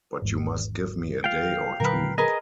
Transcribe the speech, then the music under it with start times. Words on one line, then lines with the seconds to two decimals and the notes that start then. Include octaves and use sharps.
But you must give me a day or two.
0.22 G#1 E2 G#2
1.24 F4 F5 G5
1.80 A#2 D3 F#3 A#4 B4
2.18 G#4 A#4 B4 D#5